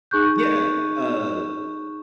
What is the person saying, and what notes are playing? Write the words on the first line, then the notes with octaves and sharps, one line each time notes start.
Yeah. Uh,
D#4 G#4 C#6 F#6 G6